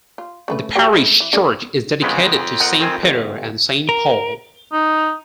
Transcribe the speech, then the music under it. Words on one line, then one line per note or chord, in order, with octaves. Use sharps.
The parish church is dedicated to Saint Peter and Saint Paul.
F4
C#3 A3 B4
F#3 G4 G5
G#3 A3 E4
E3
D4 G#4 A4
F2 C#3 G#3 B3
A#4 D#5 F#5
D#3 C4 G#5
G1
A#4
D#4